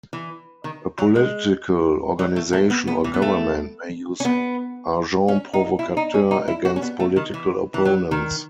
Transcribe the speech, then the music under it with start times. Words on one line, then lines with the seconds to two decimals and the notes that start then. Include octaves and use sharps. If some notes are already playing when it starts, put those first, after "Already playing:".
A political organization or government may use agents provocateurs against political opponents.
0.13 E3
0.64 D#3
0.98 F#3
1.16 G#3
2.19 F#3
2.36 A3
2.53 A3
2.70 B3
2.87 B3
3.04 E3
3.14 B3
3.22 A3
4.20 C#4
4.25 B3
5.28 C#4
5.53 D#4
5.79 E4
5.97 D#4
6.14 C#4
6.31 D#4
6.48 E4
6.65 F#4
6.76 C#4
6.82 B3
7.00 A3
7.16 D#3
7.34 E3
7.74 E3
7.85 F#3
8.11 D#3